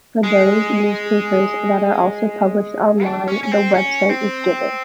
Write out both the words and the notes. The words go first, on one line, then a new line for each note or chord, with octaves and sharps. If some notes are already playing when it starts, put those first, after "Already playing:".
For those newspapers that are also published online, the website is given.
G#3
D4
C#4
C#4
C4
C#4
C4